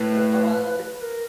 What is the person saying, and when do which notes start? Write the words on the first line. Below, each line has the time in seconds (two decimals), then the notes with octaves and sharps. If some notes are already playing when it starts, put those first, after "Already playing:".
O oh, well, if it's
Already playing: A2 B4
0.79 B4
1.01 A#4